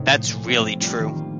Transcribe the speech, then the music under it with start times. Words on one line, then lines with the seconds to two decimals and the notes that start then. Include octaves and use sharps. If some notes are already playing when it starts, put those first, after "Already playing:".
That's really true.
Already playing: A2 C3 C4 D#4
0.10 F3 A3
0.29 A#2
0.46 G3 C4 F4
0.64 A2
0.80 G3 D4 F4
0.98 D#3
1.15 A#3 F4